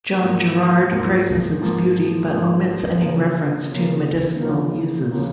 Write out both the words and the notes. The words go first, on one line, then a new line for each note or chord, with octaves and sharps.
John Gerard praises its beauty but omits any reference to medicinal uses.
G#2 F3 A#3
G#2 F3 A#3
G#2 F3 A#3
G#2 F3 A#3
C#3 F3 A#3
C#3 F3 A#3
C#3 F3 A#3
C#3 F3 A#3